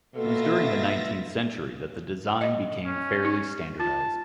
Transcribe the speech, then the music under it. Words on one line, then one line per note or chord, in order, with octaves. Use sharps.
It was during the nineteenth century that the design became fairly standardized.
B2 A#3 F4 A4 E5 A6 A#6
D#5
C#4
D#4
F4 A5